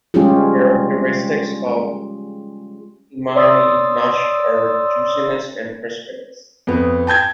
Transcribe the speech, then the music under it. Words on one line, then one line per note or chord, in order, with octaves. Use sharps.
The characteristics of Imari "nashi" are juiciness and crispness.
G3 G#3 C#4 F4 G4 G#4
C#5 D5 C6 D#6 E6 A6
F2 B3
G5 A5 G6 G#6